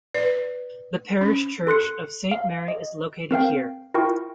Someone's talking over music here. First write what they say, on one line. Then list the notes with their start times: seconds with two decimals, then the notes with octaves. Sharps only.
The parish church of Saint Mary is located here.
0.14 B4 D5
1.21 C#4
1.67 A4 C6 F#6 C#7
2.31 F5
2.68 D#5
3.31 C4 A#4 F5 G5
3.94 E4 F4 A#4 G5 C#6